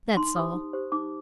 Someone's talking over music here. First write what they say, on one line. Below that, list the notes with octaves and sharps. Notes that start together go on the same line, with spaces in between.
That's all.
D#4 C6
G4 C5 D#6
D#4
G4 C5
D#4 D6